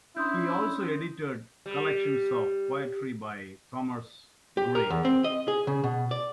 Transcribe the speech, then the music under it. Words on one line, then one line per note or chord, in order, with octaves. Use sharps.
He also edited collections of poetry by Thomas Gray.
C#4 D4 E4 C6 D#6 G6
G3
G4
A#4
E2
C4
D#5
G#4
C#3
B2
D5